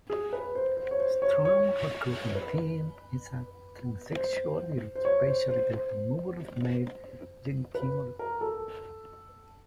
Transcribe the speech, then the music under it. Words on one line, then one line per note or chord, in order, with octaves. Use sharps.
A strong recurring theme is transsexuality, especially the removal of male genitalia.
G#4
B4
C5
C5
C#5
C5
C#5
C#5
B4
C5
C5
C#5
C5
C5
C5
B4
A#4
A4